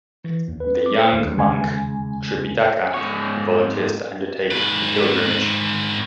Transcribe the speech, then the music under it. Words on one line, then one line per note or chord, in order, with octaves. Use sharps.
The young monk Tripitaka volunteers to undertake the pilgrimage.
E3
D#2
B4
D6
C5
D#2
D#2 C#3 G#3 G#5
G#2 C#5
G#2 B4